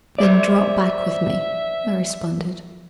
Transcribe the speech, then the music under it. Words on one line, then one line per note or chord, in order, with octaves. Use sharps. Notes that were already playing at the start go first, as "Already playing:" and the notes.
"Then drop back with me," I responded.
C5 D5 E5